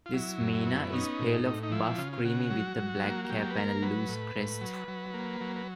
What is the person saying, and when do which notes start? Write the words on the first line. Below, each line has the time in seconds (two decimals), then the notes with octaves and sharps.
This myna is pale buff creamy with a black cap and a loose crest.
0.06 F4
0.13 F#3 E4
0.40 F#2
0.53 E4
0.66 B3
0.92 C#4 D#4
1.19 A2
1.45 A2
1.63 D#4
1.71 F3 E4
1.98 C#3 F4
2.13 F4
2.25 C#3 F#4
2.50 F#3
2.77 F#3
3.03 A#3
3.25 F#4
3.30 F#3 G4
3.51 B4
3.56 A#3 A#4
3.82 F#3 B4
4.09 A2
4.36 A2
4.61 F#3
4.88 F#3
5.14 A#3
5.41 F#3
5.56 B4